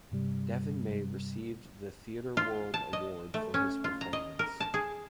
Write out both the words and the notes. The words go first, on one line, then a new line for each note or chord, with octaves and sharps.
Deven May received the Theatre World Award for his performance.
G2 C3 G3
F4
A5
D#5
A3
C#4
F4
A#5
D#5
A#4
A5
G#4